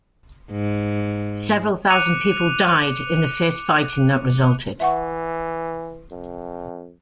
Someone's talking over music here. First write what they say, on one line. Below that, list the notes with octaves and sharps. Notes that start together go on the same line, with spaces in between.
Several thousand people died in the fierce fighting that resulted.
G#2
D6 F#6 C#7 D#7 F7
E3 E5 F#5 C#6
F2